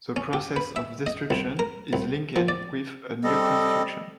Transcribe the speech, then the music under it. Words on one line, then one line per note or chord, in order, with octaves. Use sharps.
The process of destruction is linked with a new construction.
C#4
G4
B4
E5
D#5
C2
A#4
C2
F3
D5
G3 C4 A4 D#5